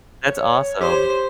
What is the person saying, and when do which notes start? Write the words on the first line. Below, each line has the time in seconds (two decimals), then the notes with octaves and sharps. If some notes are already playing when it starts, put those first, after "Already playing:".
That's awesome.
0.25 C#5
0.81 G4 C5